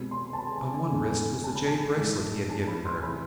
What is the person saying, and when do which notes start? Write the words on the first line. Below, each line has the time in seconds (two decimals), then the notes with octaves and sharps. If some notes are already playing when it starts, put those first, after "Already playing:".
On one wrist was the jade bracelet he had given her.
Already playing: C2 B2 G#3 B5
0.11 C6
0.33 A5
0.39 B5
0.47 G#5
0.56 A5
0.74 G#5
0.91 E2 D3 G#3
1.44 A5
1.55 B5
1.66 A5
1.96 A2 G#3
2.50 A5
2.67 B5
2.85 C6
3.03 C3 E3 B5